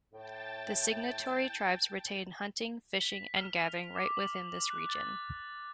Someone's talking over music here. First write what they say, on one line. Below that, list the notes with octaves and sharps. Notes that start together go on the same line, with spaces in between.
The signatory tribes retain hunting, fishing and gathering right within this region.
A2 G5 A5 A6
B6
F6
F7
D6
F#7
F#6
A6